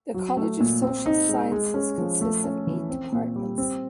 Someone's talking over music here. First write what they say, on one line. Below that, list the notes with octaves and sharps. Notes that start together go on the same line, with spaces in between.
The College of Social Sciences consists of eight departments.
F#3
A3
A#2
C4
D#4
G#3
G#3
C#4
F3
A3
C#4
E3
C4
A#2
G3
C4